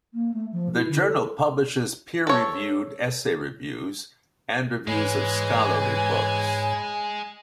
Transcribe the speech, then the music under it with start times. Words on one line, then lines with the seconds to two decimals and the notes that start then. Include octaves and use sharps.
The journal publishes peer-reviewed essay reviews and reviews of scholarly books.
0.14 A#3
0.34 A3
0.53 F3
0.76 E4
0.89 D3
1.02 A4
2.27 A4 C#5
4.87 G#2 E3 G#3 C#5 G#5 B5